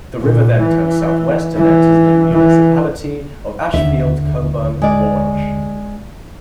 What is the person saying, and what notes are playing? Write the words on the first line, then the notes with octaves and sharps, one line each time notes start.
The river then turns southwest and enters the municipality of Ashfield-Colborne-Wawanosh.
A#2
E3
E3
E3
D#2 D3 E5
G#3 D5